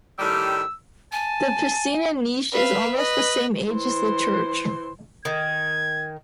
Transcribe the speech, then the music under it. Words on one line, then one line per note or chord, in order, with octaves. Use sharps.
The piscina niche is almost the same age as the church.
A2 D#3 G3 E6
G#5 A5
B4 E5 F5
B4 D#5
E3 C5
D#3 G#6